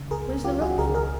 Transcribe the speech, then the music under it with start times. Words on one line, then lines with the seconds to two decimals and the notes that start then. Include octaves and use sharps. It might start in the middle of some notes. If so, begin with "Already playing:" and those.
"What is the rope for?"
Already playing: C#3
0.11 C#2 G#4 A#4
0.28 C#2
0.44 F#3 F4 G4
0.61 C#3 F#4 G#4
0.78 C#2 G#4 A#4
0.95 G#4 A#4